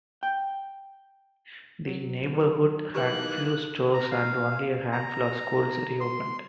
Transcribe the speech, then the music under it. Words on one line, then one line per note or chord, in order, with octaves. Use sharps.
The neighborhood had few stores and only a handful of schools reopened.
G5
F#3
E3 A#3 D#4 G4 B4 F#6
A#5
F5
A#5
C6